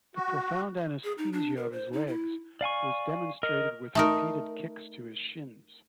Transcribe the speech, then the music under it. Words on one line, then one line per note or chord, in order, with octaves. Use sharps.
The profound anesthesia of his legs was demonstrated with repeated kicks to his shins.
F#4
G#4
D#4
D4
A#4
C5
D#4
E4
D5 F5 G#5 C#6
A#4 D#5
A3 D#4 A#4